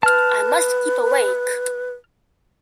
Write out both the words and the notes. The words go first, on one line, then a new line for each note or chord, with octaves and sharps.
I must keep awake.
B4 A5 F6